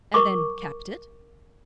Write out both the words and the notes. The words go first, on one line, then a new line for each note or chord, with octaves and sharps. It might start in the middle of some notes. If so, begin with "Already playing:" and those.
"And then kept it?"
A#4 C#6 D6